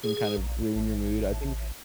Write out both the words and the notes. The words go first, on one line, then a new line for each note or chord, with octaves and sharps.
can kind of ruin your mood, I think
G#4
A#1
A1